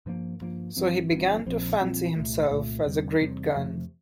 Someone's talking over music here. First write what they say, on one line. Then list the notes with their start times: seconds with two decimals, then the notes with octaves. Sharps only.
So he began to fancy himself as a great gun.
0.06 G2 F3 A#3
0.41 G2 F3 A#3
0.76 G1 G2 F3 C4
1.11 G1 G2 F3 C4
1.46 A#1 A#2 F3 C4
1.81 A#1 A#2 F3 C4
2.16 C2 A#2 A3
2.50 C2 A#2 A3
2.85 E2 C3 G3
3.20 E2 C3 G3
3.55 F2 C3 F3 A3